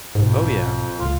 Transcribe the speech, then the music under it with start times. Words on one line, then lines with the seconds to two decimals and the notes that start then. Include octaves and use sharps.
Oh yeah.
0.15 B1 F2 G#2
1.00 C#2 F4